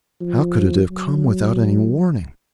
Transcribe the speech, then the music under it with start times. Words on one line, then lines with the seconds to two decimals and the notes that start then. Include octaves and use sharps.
'How could it have come without any warning?
0.21 F3
0.91 F#3